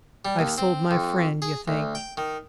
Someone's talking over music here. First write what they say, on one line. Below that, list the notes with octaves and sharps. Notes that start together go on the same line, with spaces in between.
I've sold my friend, you think.
G3
D#2
C4
F2
G#4
D2
G5
D#3